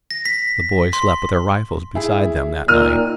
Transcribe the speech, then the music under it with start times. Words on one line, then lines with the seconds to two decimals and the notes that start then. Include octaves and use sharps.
The boys slept with their rifles beside them that night.
0.11 A#6
0.26 B6
0.93 C6
1.95 E4 G#4
2.68 A#2 D#3 E6 F6 D#7